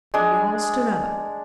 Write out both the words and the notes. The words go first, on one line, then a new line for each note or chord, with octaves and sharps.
We all stood up.
G#3 D4